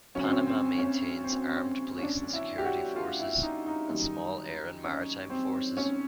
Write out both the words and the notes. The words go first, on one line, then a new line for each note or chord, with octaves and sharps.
Panama maintains armed police and security forces, and small air and maritime forces.
D2 C#3 F#3 C#4
C4
C#4
C4
C#4
C4
C#4
C4
C#4
C#4
D4
E4
G4
F#4
F4
E4
D#4
D#4
F#2 D#3 G3
C#4
C4
C#4